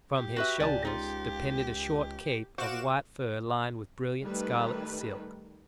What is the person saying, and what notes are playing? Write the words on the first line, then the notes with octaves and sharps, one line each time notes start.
From his shoulders depended a short cape of white fur lined with brilliant scarlet silk.
G4
F#4 B4 E5
C#2 D5 G#5 A5
D#4 F4
F#4 C5 F5 D6 E7
D#3 G3 A3 B4